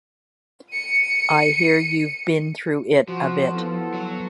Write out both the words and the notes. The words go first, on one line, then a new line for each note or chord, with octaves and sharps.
I hear you've been through it a bit.
C#7 D#7
F3 F#4
B3 E4 A4
F#3